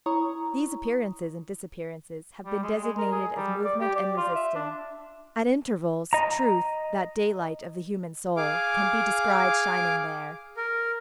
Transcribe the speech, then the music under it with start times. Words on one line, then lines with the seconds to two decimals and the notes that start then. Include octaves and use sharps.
These appearances and disappearances have been designated as movement and resistance. At intervals, truth, that daylight of the human soul, can be descried shining there.
0.06 E4 C#5 A#5 C#6 D#6
2.45 G3
2.63 G#3
2.84 G#3
2.98 A#4
3.12 G#4
3.36 G3
3.64 D5
3.81 G4
3.96 D5
4.17 F4
4.35 E5
4.55 D4
6.13 D#5 A#5
8.37 G#4 F5 D6
10.57 A#4